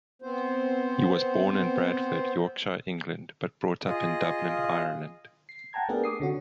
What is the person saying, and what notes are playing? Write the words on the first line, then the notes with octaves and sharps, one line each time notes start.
He was born in Bradford, Yorkshire, England, but brought up in Dublin, Ireland.
B3 C4 C5
F4 G#4 D#5 D#6
C7
F#5 G5 A5 A#5 G#6
A3 B3 D4 G4 G#4 A#4
D6 D#6 C7
D3 C#4 F#4